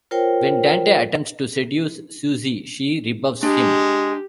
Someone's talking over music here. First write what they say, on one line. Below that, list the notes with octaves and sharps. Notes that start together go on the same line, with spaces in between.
When Dante attempts to seduce Suzie, she rebuffs him.
F4 A#4 C5 C#5 G5
G#3 D4 G4